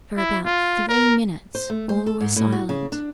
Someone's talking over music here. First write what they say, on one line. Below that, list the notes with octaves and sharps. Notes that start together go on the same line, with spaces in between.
For about three minutes all were silent.
E4
F4
A#4
C5
A3
C5
A4
G#2
A2
F#4
C#3
D4